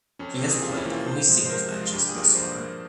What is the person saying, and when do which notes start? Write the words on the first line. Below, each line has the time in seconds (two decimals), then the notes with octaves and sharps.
He has played only singles matches thus far.
0.19 F2 C#4
0.34 C4
0.41 C3 E3 A#3
0.48 G#4
0.62 F2 F4
0.72 C#4
0.77 E4
0.84 C3 E3 A#3
0.92 F4
1.05 C3 C5
1.28 F3 G#3
1.45 C5
1.49 C3 A#4
1.71 F3 G#3
1.81 F4
1.92 G2 G4
2.08 G#4
2.14 F3 A#3
2.22 A#4
2.35 G2 C5
2.57 F3 A#3